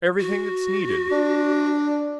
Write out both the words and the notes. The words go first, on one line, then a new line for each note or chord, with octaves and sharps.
Everything that's needed.
F#4
D4